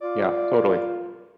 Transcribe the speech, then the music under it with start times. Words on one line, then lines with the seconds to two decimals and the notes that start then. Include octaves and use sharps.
Yeah, totally.
0.01 F4 D5